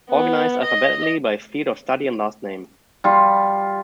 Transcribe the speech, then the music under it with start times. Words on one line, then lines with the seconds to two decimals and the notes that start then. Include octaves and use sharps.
Organized alphabetically by field of study and last name.
0.10 B3
0.63 D#5
3.04 G3 F4